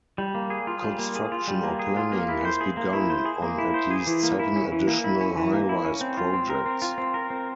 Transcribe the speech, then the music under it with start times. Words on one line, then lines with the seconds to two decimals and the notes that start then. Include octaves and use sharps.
Construction or planning has begun on at least seven additional high-rise projects.
0.18 G3
0.34 A#3
0.50 G#4
0.67 F4
0.83 G3
0.99 A#3
1.15 G#4
1.32 F4
1.48 G3
1.63 A#3
1.79 G#4
1.97 F4
2.12 A#3
2.29 E4
2.45 C5
2.61 G#4
2.77 A#3
2.93 E4
3.10 C5
3.25 G#4
3.42 A#3
3.58 E4
3.74 C5
3.91 G#4
4.07 E3
4.23 A#3
4.39 E4
4.56 C#4
4.72 E3
4.87 A#3
5.04 E4
5.21 C#4
5.37 E3
5.53 A#3
5.69 E4
5.85 C#4
6.01 C4
6.18 F4
6.33 C4
6.50 A#4
6.66 C4
6.82 F4
6.98 C4
7.14 A#4
7.30 C4